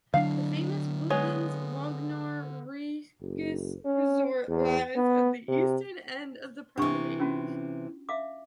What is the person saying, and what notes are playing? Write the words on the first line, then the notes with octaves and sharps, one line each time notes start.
The famous Butlins Bognor Regis resort lies at the eastern end of the promenade.
D3 F#3 D4 F5
G#3 B3 C#5
F#1
C#4
E2
B3
C3
C3 E3 D4 C#6
C#4 F4 F#4
E5 F5 D6